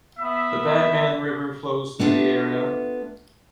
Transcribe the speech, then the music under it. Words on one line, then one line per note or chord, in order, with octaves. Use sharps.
The Batman River flows though the area.
B3 E5
A3 B3 D4 F4 E5